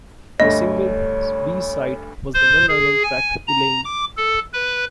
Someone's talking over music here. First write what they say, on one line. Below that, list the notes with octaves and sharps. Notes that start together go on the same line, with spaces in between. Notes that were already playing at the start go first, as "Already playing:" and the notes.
The single's B-side was the non-album track "Elaine".
D2 G2 A3 C#5 D#5
C5
G#4
G#5
A#5
D6
A4
B4